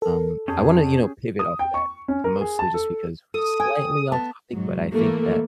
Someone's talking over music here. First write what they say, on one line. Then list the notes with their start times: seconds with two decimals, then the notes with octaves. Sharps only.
um I wanna, you know, pivot off of that mostly just because we're slightly off topic, but I think that,
0.02 A4 A#4
0.48 F2 C#4 G4 G#4 A5
1.39 D#6
1.59 G5
1.74 C#6
2.08 C#4
2.24 A#4
2.41 G#4
2.59 A5
2.74 A4
3.34 A4 D#6
3.60 G5 G#5
4.12 B3 A5
4.51 G#2 F#3
4.93 E3 A3 A#3